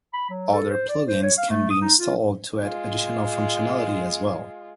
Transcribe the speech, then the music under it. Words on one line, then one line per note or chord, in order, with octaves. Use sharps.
Other plugins can be installed to add additional functionality as well.
B5
F#3
A4
C5
D5
C5
C#5
F5
A3
D#6
D#4
F4
G#3 F4